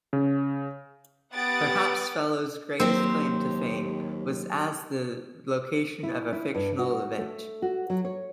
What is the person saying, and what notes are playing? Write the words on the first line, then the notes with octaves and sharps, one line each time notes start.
Perhaps Fellows' greatest claim to fame was as the location of a fictional event.
C#3
B3 G4 F#5 D#6 A6 D7
D#2 F#3 A#3 C4 G4 C5
E4
E4
G2
F#4
A3
F#4
F#3
C#5